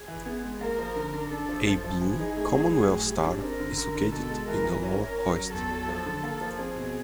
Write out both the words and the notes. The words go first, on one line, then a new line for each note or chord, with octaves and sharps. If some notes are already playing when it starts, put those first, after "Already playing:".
A blue Commonwealth Star is located in the lower hoist.
Already playing: G#4
E3
B3
G#3
A#3 A#4
F3
D3
D4
D4 A4
F3
F3
F3
E3 G#4
D#4
A3
F#3
F#3
A2
G3
D4
C4 A#4
D3
D3
D3
B2 A4
G#3
E3 A#4
E3
C#4 A#4
C#4
C#4
F#3
E2 A4
F#3
F3
D3
A#3
F3
C4 G#4
B2